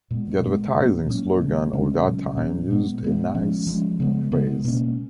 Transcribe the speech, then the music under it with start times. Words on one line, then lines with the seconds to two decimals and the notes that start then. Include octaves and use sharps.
The advertising slogan of that time used a nice phrase.
0.11 A#2 G#3 B3
0.43 A#2 G#3 B3
0.75 A#2 F#3 A#3 C#4
1.08 A#2 F#3 A#3 C#4
1.40 C#3 G#3 C#4
1.73 C#3 G#3 C#4
2.05 A#2 F#3 C#4
2.37 A#2 F#3 C#4
2.70 A#2 G#3 B3
3.03 A#2 G#3 B3
3.34 F3 G#3 C#4
3.67 F3 G#3 C#4
4.00 C#3 G#3 B3
4.32 C#3 G#3 B3
4.64 B2 A#3 C#4